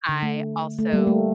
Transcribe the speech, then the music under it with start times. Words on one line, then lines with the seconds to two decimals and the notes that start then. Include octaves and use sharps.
I also
0.09 D3
0.23 A3
0.79 A3
0.93 G3 A#3
1.07 A3